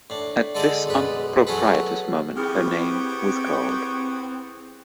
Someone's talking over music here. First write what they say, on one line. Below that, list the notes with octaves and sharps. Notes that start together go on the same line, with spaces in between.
At this unpropitious moment her name was called.
A2 D4
D3 G#3 A4 D5 D#5
B1 F#2 G#3 B4
F#3 C#4 G#4 A4 B4
B3 C4 E4 G4 G#4 C#5 G5 F6